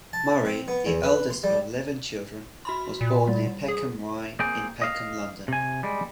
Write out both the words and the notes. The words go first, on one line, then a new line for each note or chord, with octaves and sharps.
Murray, the eldest of eleven children, was born near Peckham Rye in Peckham, London.
A5
C4
B3
E2
B4
C6
G3
F#4 B5 C6
A#2
G3
G#4
A#3 C4 G#4 G5
D#5 F5
C3 G#5
G3 G#3